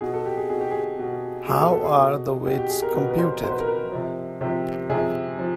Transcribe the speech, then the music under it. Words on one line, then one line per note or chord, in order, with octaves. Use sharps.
How are the weights computed?
B2 G#4
A4
G4
G#4
B2 G#4
G4
G#4
B2
B2 G#4
A4
A4
G#4
B2
B2 G4
G4
G#4
A#4
B2 B4
B4
C5
B2 C5
B4
A#4
B4
C3 F3
C3 F3 G4
C3 F3 G#4
F3